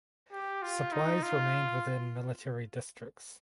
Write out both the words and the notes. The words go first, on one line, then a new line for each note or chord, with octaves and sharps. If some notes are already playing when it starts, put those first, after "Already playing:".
Supplies remained within military districts.
G4
F4
D#4
F4